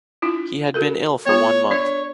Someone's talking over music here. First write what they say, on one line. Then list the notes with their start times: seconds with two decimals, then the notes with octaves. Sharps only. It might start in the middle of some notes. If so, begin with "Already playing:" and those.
He had been ill for one month.
0.22 D4 E4 F4
0.74 F#4 A4 A#4
1.26 B3 F4 C#5
1.71 D4 C#5 D5